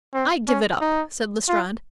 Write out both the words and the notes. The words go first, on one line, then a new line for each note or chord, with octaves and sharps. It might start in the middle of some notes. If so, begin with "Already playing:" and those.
"I give it up," said Lestrade.
C4
C#4
D#4
F4